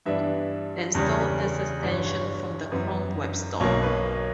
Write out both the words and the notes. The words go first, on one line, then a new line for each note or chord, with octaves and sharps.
Install this extension from the Chrome Web Store.
G2 E3 B3 D4 E5
E2 C#3 G3 C#4
G1 G2 E3 D5
C#5
B4
C#5
F#2 E3 B3
B1 B2 A#3 C#5
B4